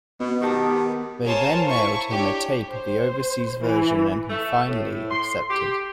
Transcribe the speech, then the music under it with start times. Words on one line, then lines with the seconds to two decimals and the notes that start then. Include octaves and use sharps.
They then mailed him a tape of the overseas version and he finally accepted.
0.20 B2 B3
0.41 D#3 F#4 G4 A5 D#6
1.26 A#4 C5 C#5 F5 G#5 A5
1.68 E4 A5 C#6
2.09 D4 G4 C#5
2.69 C5
3.60 E3
4.30 A3
4.69 A2
5.11 C6
5.50 G4